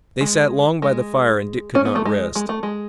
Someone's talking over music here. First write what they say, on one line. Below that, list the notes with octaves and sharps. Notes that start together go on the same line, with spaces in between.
They sat long by the fire and Dick could not rest.
G#3
G#3
C#4
B3
A3
G#3
G#3
A3
G#3